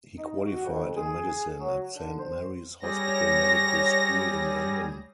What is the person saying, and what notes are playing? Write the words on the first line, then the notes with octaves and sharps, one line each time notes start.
He qualified in medicine at Saint Mary's Hospital Medical School in London.
D#4
F#4
F2
G#4
F#3
D3
C5
G3 G#4 C#5 A#6